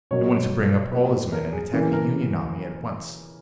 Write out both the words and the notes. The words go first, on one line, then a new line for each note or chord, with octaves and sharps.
He wanted to bring up all his men and attack the Union army at once.
B2 F#3 A#3 C#5
A#2 A#3 B4
B4
A#4
G#4
C#3 E3 A#3
A#4